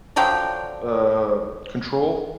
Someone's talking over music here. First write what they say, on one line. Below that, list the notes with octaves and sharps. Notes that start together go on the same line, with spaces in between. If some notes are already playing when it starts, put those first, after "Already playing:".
uh, control
D3 F3 F#3 G5